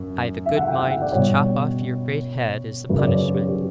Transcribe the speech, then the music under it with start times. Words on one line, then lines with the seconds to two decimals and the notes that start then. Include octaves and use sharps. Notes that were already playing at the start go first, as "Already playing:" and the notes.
I've a good mind to chop off your great head as a punishment.'
Already playing: F#2 F#3
0.46 E5
0.57 F#5
0.68 G5
0.80 F#5
0.90 F#5
1.02 D5
1.12 B2 G3 C#5
2.89 F#2 C#3 F#3 B4
2.98 D5
3.05 C#5
3.34 G4
3.48 G4